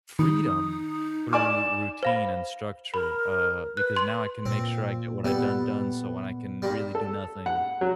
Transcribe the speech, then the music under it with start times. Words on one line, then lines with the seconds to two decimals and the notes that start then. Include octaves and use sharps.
freedom through routine and structure, uh, because now I can make sure I get what I done done, so when I can really do nothing,
0.19 D#3 D#4 D#6
1.33 D5 G#5 D6 E7
2.03 C5 F5 B5
2.94 A#4 B5
3.77 B4 F#6
3.96 C6
4.46 A#2 C4
5.25 G3 B3 A4
6.62 A#2 G3
6.95 A4
7.46 F#5
7.81 F#3